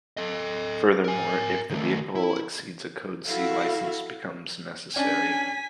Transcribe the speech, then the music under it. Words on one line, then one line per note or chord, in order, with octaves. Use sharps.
Furthermore, if the vehicle exceeds a code C license becomes necessary.
A4 D#5
A#4 G#5
D#3 A3
E4
E4 F#4 A4 E5 F5
C#4 D4 G#5 B6